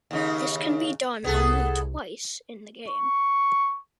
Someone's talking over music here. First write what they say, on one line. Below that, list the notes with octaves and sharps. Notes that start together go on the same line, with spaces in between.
This can be done only twice in the game.
D#2 C#3 D#4
C2 B3 G#4 A4
C#6